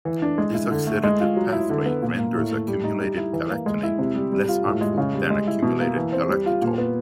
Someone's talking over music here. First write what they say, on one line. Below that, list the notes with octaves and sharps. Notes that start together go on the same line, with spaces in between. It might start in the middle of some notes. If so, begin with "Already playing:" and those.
This oxidative pathway renders accumulated galactonate less harmful than accumulated galactitol.
E3
D4
G#3
E4
D3
A3
G#3
F4
F#3
E4
D3
B3
A#2
A#3
A2
A3
G3
D#4
G3
E4
E3
A#3
G#3
E4
C3
G3
G3
F4
A2
G#3
C#3
G3
G#3
E4
B2
A#3
E3
C4
G3
F4
A#2
B3